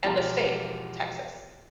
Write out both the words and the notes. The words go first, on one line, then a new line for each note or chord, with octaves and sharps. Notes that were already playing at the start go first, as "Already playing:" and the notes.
And the state, Texas.
E1 F3 F4 G4 A5 A#5